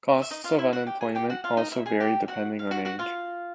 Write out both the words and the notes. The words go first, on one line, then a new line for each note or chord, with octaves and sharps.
Costs of unemployment also vary depending on age.
E5
D#4 D#5
F4 F5
E4 E5
F#4 F#5
G4 G5
G#4 G#5
G4 G5
F#4 F#5
F4 F5
D#4 D#5
E4 E5
G#4 G#5
G4 G5
F#4 F#5
F5
F#4 F#5
F#4 F#5
F4 F5